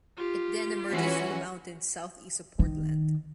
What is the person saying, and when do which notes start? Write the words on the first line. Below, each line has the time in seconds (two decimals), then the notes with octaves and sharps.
It then emerges from the mountains southeast of Portland.
0.17 F4 G4
0.91 E3 C#4 F#4
2.59 D#3